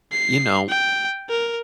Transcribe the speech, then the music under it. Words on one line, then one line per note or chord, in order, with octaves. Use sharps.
you know,
C7
G5
A#4